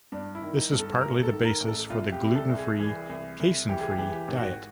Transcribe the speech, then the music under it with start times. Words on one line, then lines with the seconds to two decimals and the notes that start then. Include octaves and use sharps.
This is partly the basis for the gluten-free, casein-free diet.
0.12 G2 D4
0.35 E4
0.42 D#3
0.56 D#4
0.72 G2
0.79 A4
1.01 A1 A#4
1.23 A4
1.32 D#3
1.45 A#4
1.60 A1
1.68 A4
1.90 C2 F4
2.12 G4
2.21 C3
2.35 A4
2.49 C2
2.58 G#4
2.79 E3 G#4
3.09 C2
3.40 C2
3.69 E3 G4
3.80 G#4
3.91 G4
3.98 E3
4.13 G4
4.28 G#1
4.36 F#4